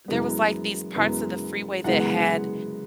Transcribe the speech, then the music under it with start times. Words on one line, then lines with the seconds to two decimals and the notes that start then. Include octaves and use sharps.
there was, like, these parts of the freeway that had
0.08 F#2 E3 G#3 B3
0.95 F#2 E3 G#3 B3
1.84 F#2 E3 G#3 B3 F#5